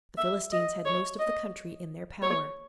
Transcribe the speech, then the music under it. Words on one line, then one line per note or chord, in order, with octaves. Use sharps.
The Philistines had most of the country in their power.
E5
D#5
C#5
D#5
C#5